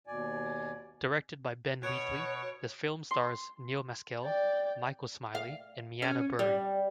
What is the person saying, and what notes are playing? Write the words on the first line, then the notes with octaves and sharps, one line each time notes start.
Directed by Ben Wheatley, the film stars Neil Maskell, Michael Smiley and MyAnna Buring.
D#2 B2 D5 G#5
B2 C#5 C#6 F#6 G#6 D7
C6
D5 G5
F5
C#4
G3